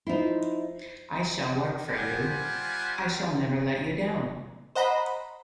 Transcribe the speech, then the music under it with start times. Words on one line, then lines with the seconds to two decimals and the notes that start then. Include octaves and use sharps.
I shall work for you, I shall never let you down.
0.07 F3 D#4 E4 C6
1.87 G3 F4 C5 F#5 G#5
4.75 C5 D#5 F#5 A#5 B5